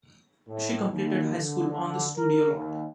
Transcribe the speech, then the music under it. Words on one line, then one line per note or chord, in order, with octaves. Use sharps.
She completed high school on the studio lot.
A2
D#2
D3
D3
A#4
D#2